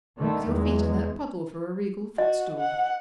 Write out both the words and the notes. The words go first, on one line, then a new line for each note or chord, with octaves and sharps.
'With your feet in that puddle for a regal footstool!
D3 D#3 A3
E2 G#3
F#4 D#5
F#5